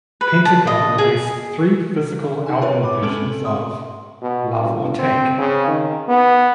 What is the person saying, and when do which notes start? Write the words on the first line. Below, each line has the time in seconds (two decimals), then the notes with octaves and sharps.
Pentagon released three physical album versions of "Love or Take".
0.21 B4
0.45 A5
0.67 D#5
0.98 G#4
2.46 D#4 G#5
2.61 F4 A#4 B4 C#5
2.83 B5 D6
3.02 G#3 C4 C#4 A4 D7 F#7
3.45 C6 D#6
4.22 B2
4.56 G1
4.99 C4
5.38 C#3
5.67 D#3
6.08 B3